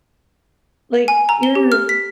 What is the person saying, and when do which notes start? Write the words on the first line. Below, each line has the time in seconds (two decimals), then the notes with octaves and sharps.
like, you're
1.08 G#5
1.29 A#5
1.43 G7
1.55 G4
1.72 F6
1.89 B6